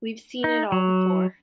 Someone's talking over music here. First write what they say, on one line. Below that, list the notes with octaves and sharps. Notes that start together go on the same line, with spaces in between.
We've seen it all before.
D#4
F#3